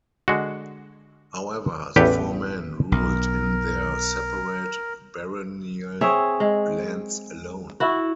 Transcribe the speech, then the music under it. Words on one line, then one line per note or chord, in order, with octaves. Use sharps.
However, the four men ruled in their separate baronial lands alone.
D3 G#3 F#4
A1 E2 G4 A4 B4
B1 A#4
C4 G#4 C#5 E5
G#3
E4 F#4